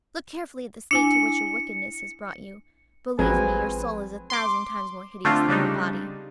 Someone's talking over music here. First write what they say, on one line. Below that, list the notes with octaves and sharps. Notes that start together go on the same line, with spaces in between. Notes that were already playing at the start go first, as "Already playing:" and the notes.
"Look carefully at the state to which your wickedness has brought you; believe me, your soul is a thousand times more hideous than your body."
D4 E4 G#5 C#7
A1 F3 F#3 G#3 C4 B4 G#5
C6 D6
D3 A3 C4 D4 F4
C#3 G3 D4 D#4